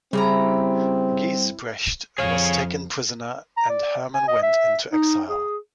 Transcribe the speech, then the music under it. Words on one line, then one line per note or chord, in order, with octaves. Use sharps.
Gijsbrecht was taken prisoner, and Herman went into exile.
C#3 G3 C4 E4 G4 A#5
F2 G#4 C#5 F5
A#5
D5
G#5
D#5
E5
D#4
G#4